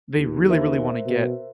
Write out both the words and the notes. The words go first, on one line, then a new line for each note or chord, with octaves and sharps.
they really, really wanna get,
D#2
A#4 C5 E5
B2